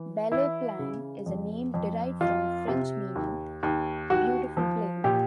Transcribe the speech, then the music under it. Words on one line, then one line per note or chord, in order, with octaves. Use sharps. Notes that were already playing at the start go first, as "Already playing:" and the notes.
Belle Plaine is a name derived from French meaning "beautiful plain".
Already playing: E3
E3 E4
C#3
F2
F2
F2 F4
C3
D#2
D#2
D#2 F#4
F3
A#2 G4